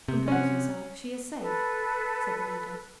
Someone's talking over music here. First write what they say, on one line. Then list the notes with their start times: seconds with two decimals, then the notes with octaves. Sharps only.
"Compose yourself; she is safe," said the leader.
0.08 C3
0.28 C#4 F#5
1.40 A4 B4